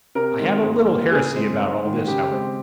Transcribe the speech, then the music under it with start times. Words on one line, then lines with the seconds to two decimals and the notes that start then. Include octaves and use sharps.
I have a little heresy about all this, however.
0.15 C3 A#4
0.39 D#3 G#3
0.63 G#2
0.88 G3 A#3
1.12 C#3 G#4
1.36 G#3 C4
1.60 G#2
1.84 D#3 G#3
2.07 C#3 G4
2.31 G#3 C4